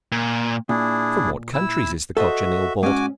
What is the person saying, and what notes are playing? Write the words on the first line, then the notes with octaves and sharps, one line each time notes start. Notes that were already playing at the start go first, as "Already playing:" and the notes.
From what countries is the Cochineal brought?
A#2
A#2 D4 E4 G#4
E4 E6
F#4 A4 C5 D#5 E5
G#2 C#4 F#4 G#5 D6